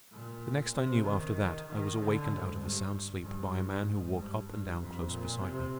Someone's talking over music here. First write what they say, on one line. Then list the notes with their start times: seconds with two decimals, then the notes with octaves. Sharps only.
The next I knew after that I was awakened out of a sound sleep by a man who walked up and down close beside me.
0.11 A#2
0.74 C3
1.05 D#3
1.67 D#3
1.98 D3
2.30 G#2
2.60 G2
3.23 G2
3.85 G#2
4.16 G2
4.47 G2
4.79 F2
5.09 A#2
5.40 C3